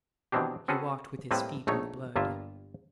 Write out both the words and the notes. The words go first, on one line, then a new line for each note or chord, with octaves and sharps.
He walked with his feet in the blood.
B2 D#3 E3 C4 D4 G4
C4 C#4 F#4 G#4 A4 B4
A2 G3 A#3 C4 B4 A5
A#1 A3 D#4 C#5
G1 G2 A#3 F4 E5